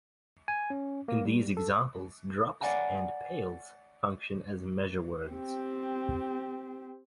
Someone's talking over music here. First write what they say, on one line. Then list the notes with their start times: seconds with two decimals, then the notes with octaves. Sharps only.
In these examples, "drops" and "pails" function as measure words.
0.48 G#5
0.70 C#4
1.08 A#3
1.25 G3
1.57 A4
2.61 C#5 D5 F#5 G#5 A#5
5.29 C4 G4